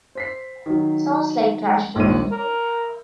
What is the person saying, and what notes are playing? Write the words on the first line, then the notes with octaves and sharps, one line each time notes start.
Sounds like trash to me!
C5 B6 C7
D#3 F#3
A#1 D#2 D4 C5 D#7
A#4